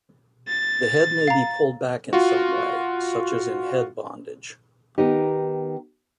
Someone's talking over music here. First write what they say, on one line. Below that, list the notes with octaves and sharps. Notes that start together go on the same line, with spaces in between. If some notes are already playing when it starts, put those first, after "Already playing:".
The head may be pulled back in some way, such as in head bondage.
A6
F5 A#5
F4 F#4
D#3 B3 D#4 G4